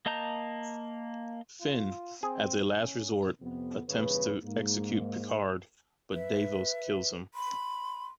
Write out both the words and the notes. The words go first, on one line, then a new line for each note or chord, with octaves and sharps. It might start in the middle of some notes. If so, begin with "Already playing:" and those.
Finn, as a last resort, attempts to execute Picard, but Devos kills him.
A#3 D#5 A5 A#5 G6
F4
C4 G#4
C#4
F2 C3 B3
E2 G2 C#3 B4
G#2 A#3
B4 E5
B5 C6